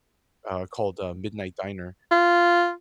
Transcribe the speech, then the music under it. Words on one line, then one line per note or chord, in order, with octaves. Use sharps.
uh, called, uh, Midnight Diner,
F4